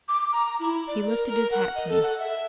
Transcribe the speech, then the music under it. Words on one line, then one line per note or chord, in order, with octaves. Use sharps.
He lifted his hat to me.
D6
A#5
A#5
E4
D5
A#4
A#4
F#5
D#5
A4
F#5
E5